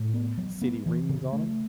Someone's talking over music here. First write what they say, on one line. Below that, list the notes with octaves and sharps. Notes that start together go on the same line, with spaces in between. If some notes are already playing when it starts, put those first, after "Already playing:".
See any rings on him?
Already playing: A2
B3
F#3
B3
E3
C#3
A3